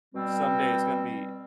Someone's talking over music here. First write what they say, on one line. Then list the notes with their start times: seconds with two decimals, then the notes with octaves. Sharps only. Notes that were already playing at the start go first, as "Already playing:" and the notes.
someday is gonna be
0.14 B2 G3 C4